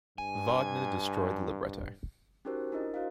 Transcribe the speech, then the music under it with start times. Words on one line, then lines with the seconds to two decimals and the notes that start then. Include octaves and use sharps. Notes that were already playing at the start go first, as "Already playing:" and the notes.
Wagner destroyed the libretto.
0.18 G2 G#5
2.45 C#4 D#4 F#4 G4 A#4 C5
2.72 D4 E4 A#4 D#5
2.94 F#4 C5 D#5 F5